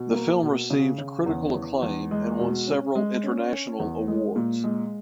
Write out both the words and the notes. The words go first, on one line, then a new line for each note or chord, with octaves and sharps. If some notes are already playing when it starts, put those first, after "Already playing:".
The film received critical acclaim and won several international awards.
Already playing: B2
A#3
B2
C#3
C#3
E2
E2
E2
G#3
B2
C#4
G#3
C#4
C#4
E2
G#3
A#2
G#3